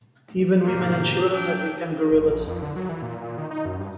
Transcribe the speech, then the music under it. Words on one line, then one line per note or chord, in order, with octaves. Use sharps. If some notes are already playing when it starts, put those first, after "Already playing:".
Even women and children have become guerrillas.
G#2 B2 D3 A#3 G4
F#3 D4 G5
F#1
A#1
F2
D3
F#3
E3
A#2
A#2
D#3
D#4
F#2
G2